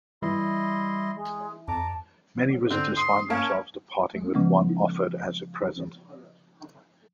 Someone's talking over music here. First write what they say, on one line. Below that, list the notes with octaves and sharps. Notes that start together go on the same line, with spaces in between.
Many visitors find themselves departing with one offered as a present.
E3 G3 E4 D#5 C6
G#3
F2 A5 A#5 D6
D3 C4
C6 D#6
A#3 C#4 A5
C#3 F3 G#3 B3 C#4